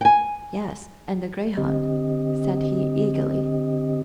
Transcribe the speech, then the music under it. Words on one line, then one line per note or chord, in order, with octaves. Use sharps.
"Yes, and the greyhound," said he eagerly.
G5 G#5
D3 C4 G4 D#5